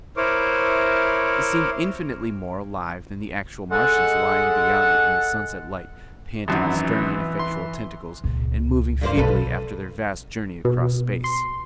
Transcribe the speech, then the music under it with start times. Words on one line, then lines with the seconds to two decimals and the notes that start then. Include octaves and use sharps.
It seemed infinitely more alive than the actual Martians lying beyond it in the sunset light, panting, stirring ineffectual tentacles, and moving feebly after their vast journey across space.
0.17 E4 A#4 C5 C#5 D6
3.71 G#3 A4 F#5
6.48 G#1 F#2 E3
7.39 C6
8.24 C#2 A#2
9.01 G2 A#3 C5
9.17 B1 A4 B4
10.65 B2
11.24 C6